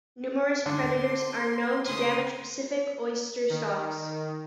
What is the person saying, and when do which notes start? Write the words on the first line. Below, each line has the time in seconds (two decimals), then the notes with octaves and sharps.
Numerous predators are known to damage Pacific oyster stocks.
0.66 D3 C6
1.83 C#3 C6 D#6
3.50 D#3